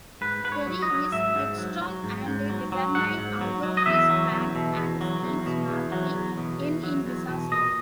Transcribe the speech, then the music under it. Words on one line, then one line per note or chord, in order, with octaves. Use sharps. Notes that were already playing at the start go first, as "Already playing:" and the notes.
Terry is headstrong, and determined, although his plans and schemes normally end in disaster.
G#2 B4
G#2 B4
C#5
F#3
D#5
F#3
G#2 E5
G#2
F#3
F#3
G#2
G#2
F#3
F#3
G#2 F#5
G#2
F#3
F#3
D#5
E2 E5
F#3
E2
B2
E2
F#3
E2
B2
E2
F#3
E2
B2
E2
F#3
E2
B2
A#2 D#5